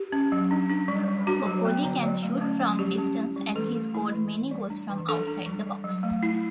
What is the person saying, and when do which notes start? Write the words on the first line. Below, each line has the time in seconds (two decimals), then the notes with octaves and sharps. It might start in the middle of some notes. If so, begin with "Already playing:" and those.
Boccoli can shoot from distance, and he scored many goals from outside the box.
Already playing: G4
0.12 C#4
0.32 F#3
0.51 D4
0.70 D4
0.88 G3
1.08 G3
1.27 D4 F#4
1.46 F#3
1.65 B3
1.85 D3
2.03 F#3
2.23 A3
2.41 C#4
2.60 F#3
2.79 G3 G4
2.98 C#4
3.17 E4
3.36 G3
3.55 E3 A4
3.75 A3
3.94 E4
4.13 E3
4.32 E3
4.51 G3
4.70 D4
4.90 E3
5.08 D4 A4
5.27 D4
5.46 G3
5.66 G3
5.84 F#3
6.03 A3
6.23 E4